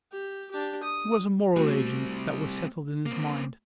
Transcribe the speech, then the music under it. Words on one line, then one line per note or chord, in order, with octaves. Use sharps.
He was a moral agent--that was settled in his mind.
G4
D4 G4
D#6
G3 A3 C4 F#4
A#3 C4